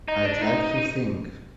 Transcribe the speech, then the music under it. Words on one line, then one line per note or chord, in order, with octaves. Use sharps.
I'd like to think.
D#4
D4
D#4